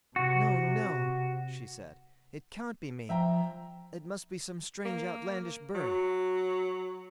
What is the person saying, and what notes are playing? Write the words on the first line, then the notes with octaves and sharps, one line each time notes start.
'No, no!' she said, 'it can't be me; it must be some strange outlandish bird.'
C3 F#4
F3 E5 G5 A#5
A#3
F#3